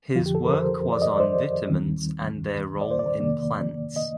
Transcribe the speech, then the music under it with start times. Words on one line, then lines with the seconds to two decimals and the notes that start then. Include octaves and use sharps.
His work was on vitamins and their role in plants.
0.15 F2 D3 F3 F4
0.26 G4
0.35 A4
0.44 A#4
0.54 C5
0.92 D5
1.02 D#5
1.11 D5
1.20 C5
1.67 D#2 D#3 G3 C4
2.81 D5
2.91 C5
2.99 D5
3.20 F2 C3 D#3 A#3 D5
3.96 D#5